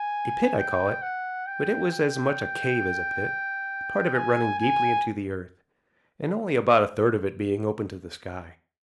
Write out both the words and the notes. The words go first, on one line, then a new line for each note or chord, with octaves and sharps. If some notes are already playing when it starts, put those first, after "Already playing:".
A pit I call it, but it was as much a cave as a pit, part of it running deeply into the earth, and only about a third of it being open to the sky.
Already playing: G#5
G5
F#5
G5
G5
G#5
G#5